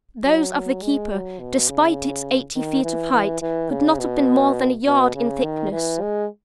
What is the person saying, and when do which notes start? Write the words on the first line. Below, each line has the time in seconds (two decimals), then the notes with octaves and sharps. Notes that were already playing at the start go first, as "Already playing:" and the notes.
Those of the Keeper, despite its eighty feet of height, could not have been more than a yard in thickness.
0.24 F#3
0.53 F#3
0.82 G#3
1.11 F#3
1.40 B2
1.68 C#3
2.55 D#3
2.84 E3
3.13 E3
3.42 E3
3.70 C#3
3.99 B2
4.86 B2
5.15 C#3
5.43 D#3
5.72 E3
6.01 G#3